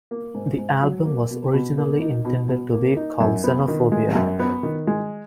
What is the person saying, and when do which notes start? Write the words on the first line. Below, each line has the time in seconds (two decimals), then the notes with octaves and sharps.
The album was originally intended to be called "Xenophobia".
0.11 A#3
0.34 G#2
0.58 G#2
0.82 F#3
1.06 A#3
1.30 B2
1.53 B2
1.78 A#3
2.01 D#4
2.25 B2
2.49 B2
2.73 A#3
2.97 D#4
3.20 F#2
3.44 B3
3.68 D#3
3.92 G#3
4.15 F#2
4.40 B3
4.63 D#3
4.87 G#3